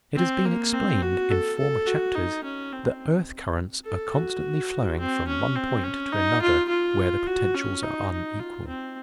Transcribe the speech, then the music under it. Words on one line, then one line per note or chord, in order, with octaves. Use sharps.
It has been explained in former chapters that earth-currents are constantly flowing from one point to another where the potentials are unequal.
C4
A#3
C4
F#4
A4
A4
F#4
D#4
C#4
C4
A4
F#4
C4
C#4
C4
C#4
D#4
F4
F4
F#4
C#4
D#4
D#4
F4
C4